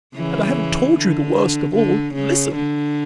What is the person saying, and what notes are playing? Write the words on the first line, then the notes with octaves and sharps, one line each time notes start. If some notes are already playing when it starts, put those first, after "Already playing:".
And I haven't told you the worst of all. Listen!
C#3 E3
D3
D3
C#3
D3